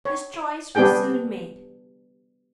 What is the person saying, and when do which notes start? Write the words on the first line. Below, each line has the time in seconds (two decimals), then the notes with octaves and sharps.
His choice was soon made.
0.05 C#5
0.75 G3 B3 D4 G4 G#4 G5